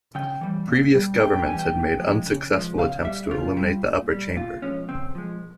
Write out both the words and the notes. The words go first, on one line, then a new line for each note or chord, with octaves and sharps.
Previous governments had made unsuccessful attempts to eliminate the upper chamber.
C#3 G5
E3 G3
A#2
G3
C3 G5
G5
E3 G3 G#5
G5
A#2
F3 G#3
C#3
F3 G#3
C#3 F5
G3 E5
C#3 F4
G3
A#2
G3
A#2 F4
F3 G#3 C#4
C#3 C4
F3 G#3